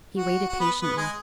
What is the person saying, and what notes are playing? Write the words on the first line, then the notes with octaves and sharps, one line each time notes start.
He waited patiently.
F#4
F#4
B3 B4
B3 B4
B4
G#3 G#4